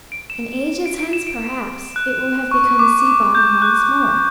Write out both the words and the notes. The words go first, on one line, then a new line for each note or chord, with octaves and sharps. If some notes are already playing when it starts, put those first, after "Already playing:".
And ages hence, perhaps, it will have become a sea-bottom once more.
D7
E7
D7
D7
E7
D7
F#6
C#6
D6
D6
G6
F#6